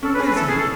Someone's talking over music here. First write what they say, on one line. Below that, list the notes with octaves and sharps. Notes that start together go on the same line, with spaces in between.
"Who is he?"
C#4 A4
B4
G#4
B4
E4 A4
G#4
C#4
A4